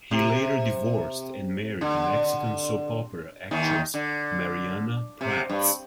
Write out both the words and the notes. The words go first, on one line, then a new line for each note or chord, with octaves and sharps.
He later divorced and married Mexican soap-opera actress Mariagna Pratts.
C3
D3
D#2 D#3
D3
C3
G2